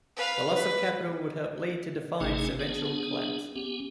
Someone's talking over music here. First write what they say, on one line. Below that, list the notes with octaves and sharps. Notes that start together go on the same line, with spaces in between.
The loss of capital would help lead to Defiant's eventual collapse.
B4 F5
B4
G#1 C3 A3 C#4 D#4 G#4
B3 D4 G#4
B3 C#4 G4